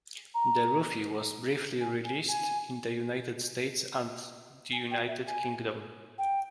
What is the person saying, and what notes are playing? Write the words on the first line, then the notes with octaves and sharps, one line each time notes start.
The Ruvi was briefly released in the United States and the United Kingdom.
A#5
G#5
G#5
G#5
G#5
G5
E5
G#5
G5